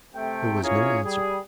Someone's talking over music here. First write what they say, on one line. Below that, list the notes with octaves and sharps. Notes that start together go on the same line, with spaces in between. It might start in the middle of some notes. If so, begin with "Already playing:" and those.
There was no answer.
C3 A3 G5
C#4 E4 F4 G#4 A#4 C#5
G3 G#4